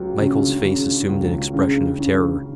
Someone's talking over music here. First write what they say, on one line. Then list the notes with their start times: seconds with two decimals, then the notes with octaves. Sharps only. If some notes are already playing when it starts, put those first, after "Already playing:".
Michael's face assumed an expression of terror.
Already playing: C#2 F#3
0.20 C#3
0.64 C#3
1.09 C#2
1.54 C#3
1.99 C#3